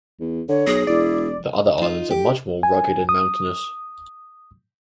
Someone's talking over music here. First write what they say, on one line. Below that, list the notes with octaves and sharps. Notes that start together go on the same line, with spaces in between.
The other islands are much more rugged and mountainous.
E2
D3 C#5
B1 G#4 A#6
E1 E4 D5
D#4 F4
G4
G#5
D#6